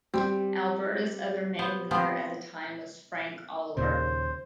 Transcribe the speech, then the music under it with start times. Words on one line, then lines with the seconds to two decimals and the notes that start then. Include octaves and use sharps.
Alberta's other main leader at the time was Frank Oliver.
0.14 G3 C4
1.59 B3 C5
1.91 F3 B3 C4
3.77 D#2 A#2 C#3 C5